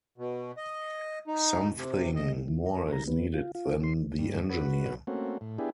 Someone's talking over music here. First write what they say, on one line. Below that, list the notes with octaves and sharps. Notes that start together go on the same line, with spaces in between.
Something more is needed than the engineer.
B2
D#5
D#4
C3
D#5
E3
A#4
A#5
B3
F4
F4
C6
G2
F#4 B4
A3 A#3 C4 C#4 F#4
A2
B3 D4 E4 G4 G#4